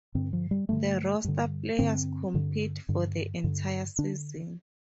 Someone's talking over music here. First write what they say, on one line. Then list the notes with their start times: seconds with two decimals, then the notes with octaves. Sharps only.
The roster players compete for the entire season.
0.15 G2 D3 C4
0.33 F3
0.51 G3
0.69 G2 D3 A3
1.24 G2 D3
1.79 G2 D3 C4
2.34 G2 D3
2.89 G2 D3
3.44 G2 D3
3.99 D3 D4